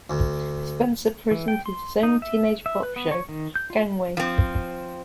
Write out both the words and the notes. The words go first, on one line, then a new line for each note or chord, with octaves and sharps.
Spencer presented his own teenage pop show, Gangway!
D2
E3
G5
C6
D#4
E5
E5
B4
B3
C#5
D#3
G6
F4
F3 C4